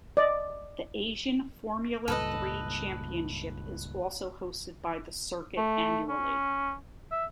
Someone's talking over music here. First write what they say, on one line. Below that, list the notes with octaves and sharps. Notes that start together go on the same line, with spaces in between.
The Asian Formula Three Championship is also hosted by the circuit annually.
D5 D#5
C#2 G2 A#2 A4 B4 D#5
A3
C#4
E5